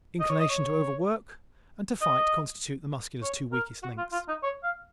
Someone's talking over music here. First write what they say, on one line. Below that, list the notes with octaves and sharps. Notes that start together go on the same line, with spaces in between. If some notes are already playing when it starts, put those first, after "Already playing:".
Inclination to overwork and to fight constitute the Muscular's two weakest links.
D#5
C#5
D#5
C#5
D#5
C#5
A#4
F#4
F4
F4
D#4
C#5
F5